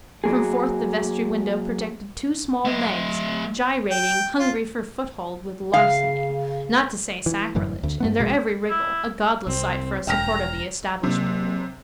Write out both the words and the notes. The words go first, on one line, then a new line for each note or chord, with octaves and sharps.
From forth the vestry window projected two small legs, gyrating, hungry for foothold, with larceny--not to say sacrilege--in their every wriggle: a godless sight for a supporter of the Establishment.
F#3 A#3 G#4
A3 D#5
G5
F4
C#3 F5
E3
G1 F#2 A2 E3
D2
G2 A3 B3
A#1 B2 G#3
E4
C2 C4
E1 G5 A#5 F6 A#6
C3 F#3 A#3